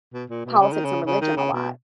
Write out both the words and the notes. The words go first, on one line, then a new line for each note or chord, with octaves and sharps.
politics and religion a lot,
B2
A#2
B2
C#3
D#3
C#3
C#3
D#3
C#3
B2